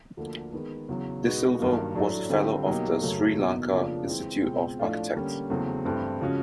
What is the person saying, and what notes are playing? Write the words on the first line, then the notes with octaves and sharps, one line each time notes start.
De Silva was a fellow of the Sri Lanka Institute of Architects.
D2 D3 F3 A#3
D#3 G#3 B3
E2 C#3 F#3
B2 G#3 B3 D#4 F#4
G2 D#3 F#3 A#3
A2 F#3 A3 D4
D3 G3 C4 F4
B2 F#3 A#3 D#4 G4
F#2 C#3 F#3 A3
E2 B2 F#3 A#3 D#4
F2 C#3 F3 A#3 D4
E3 G#3 C4
C#2 B2 G#3 C4
A2 F3 A3 D4 F4
D3 G3 A#3 C#4
E2 C#3 F#3 A3 C4
G2 E3 A3 C4 E4
C#3 F3 G#3 C#4 F#4